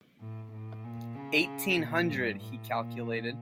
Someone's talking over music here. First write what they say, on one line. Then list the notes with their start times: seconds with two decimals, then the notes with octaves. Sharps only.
Eighteen hundred, he calculated.
0.20 A2
0.52 A2
0.84 A#2
1.15 C#3
1.78 A#2
2.09 G2
2.42 A2
2.73 A#2